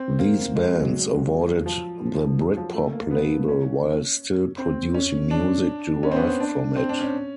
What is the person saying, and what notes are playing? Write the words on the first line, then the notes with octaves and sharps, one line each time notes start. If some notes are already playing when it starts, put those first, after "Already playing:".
These bands avoided the Britpop label while still producing music derived from it.
Already playing: C4
A#3
G#3
F#3
F#3
F3
F#3
F3
A3
A#3
B3
C#4
C4
C#4
D4
C#4
C4
B3
C4
D4
C4
D4
C#4